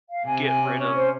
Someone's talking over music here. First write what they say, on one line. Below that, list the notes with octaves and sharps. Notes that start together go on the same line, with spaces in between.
get rid of
F5
C3 G#5
G#5
C#4
C#4
C5